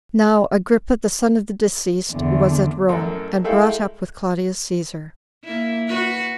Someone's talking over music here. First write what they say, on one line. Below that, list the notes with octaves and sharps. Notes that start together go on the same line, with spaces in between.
Now Agrippa, the son of the deceased, was at Rome, and brought up with Claudius Caesar.
E2 D3
A1 F#2 A4
G#3 A3 E4 A4 F5 G5
A#3 E4
F#4 B4